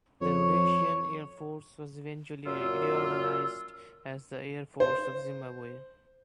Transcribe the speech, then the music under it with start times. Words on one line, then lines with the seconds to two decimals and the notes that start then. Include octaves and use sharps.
The Rhodesian Air Force was eventually reorganised as the Air Force of Zimbabwe.
0.21 F2 C#5
2.46 F#2 A#2 F4 E6
4.80 C5